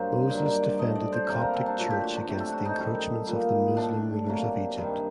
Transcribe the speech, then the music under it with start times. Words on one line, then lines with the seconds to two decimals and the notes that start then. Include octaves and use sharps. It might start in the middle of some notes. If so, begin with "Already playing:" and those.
Moses defended the Coptic church against the encroachments of the Muslim rulers of Egypt.
Already playing: G2 F#3 A#3 C5
0.30 G2 D#3 F#3 D5
0.46 D5
0.63 D5
0.79 A2 A3 D#5
0.95 D5
1.12 C5
1.29 C3 G3 A#3 A#4
1.41 A#4
1.54 A4
1.66 D4
1.78 A#2 F#3 A3 F#4
1.90 G4
2.04 F#4
2.15 D4
2.28 C3 F#3 A3 G4
2.40 A4
2.52 F#4
2.65 D#4
2.78 F#2 D#3 G3
3.27 A#2 G3 A#3
3.77 A2 A3 D4
4.26 C3 F#3 A#3
4.76 G2 D#3 G3